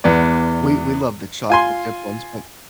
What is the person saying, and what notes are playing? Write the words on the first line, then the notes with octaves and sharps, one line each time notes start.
We we loved the chocolate chip ones, but
E2 B3 D5
F4 G#5 C6